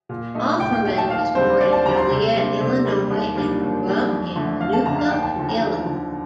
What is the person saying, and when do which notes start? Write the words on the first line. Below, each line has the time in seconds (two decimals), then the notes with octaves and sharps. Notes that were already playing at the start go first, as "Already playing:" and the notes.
Offerman was born in Joliet, Illinois and grew up in Minooka, Illinois.
0.09 A#2
0.35 A3 D#4
0.60 A#2 G5
0.72 G5
0.85 A3 D#4 G5
0.98 A5
1.10 D#2 F5
1.35 D3 G3 C4 C5
1.60 D#2 D5
1.73 A5
1.85 D3 G3 C4 A#5
1.97 C6
2.10 C3
2.35 G3 A#3 D4
2.61 C3
2.85 G3 A#3 D4
3.10 D#2
3.35 D#3 G3 A#3 D4
3.61 D#2
3.86 D#3 G3 A#3 D4
4.11 F2
4.36 D3 A3
4.60 F2 F5
4.73 A5
4.86 D3 A3 A#5
4.98 F5
5.11 D#2 G5
5.23 A5
5.36 D3 F3
5.49 A#5
5.61 D#2
5.86 D3 F3